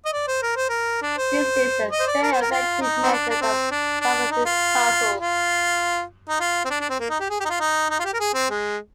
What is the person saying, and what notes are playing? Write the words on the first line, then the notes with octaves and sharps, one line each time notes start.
This is a very effective method of solving these puzzles.
D#5
D5
C5
A#4
C5
A#4
D4
C5
D#5
C5
D5
A#4
C5
A#4
F4
D#4
C4
D4
D4
C4
D4
D4
D#4
F4
F4
D#4
F4
C4
D4
D4
C4
A#3
D#4
G4
G#4
G4
D#4
F4
D#4
D#4
F4
G4
A#4
G#4
C4
G#3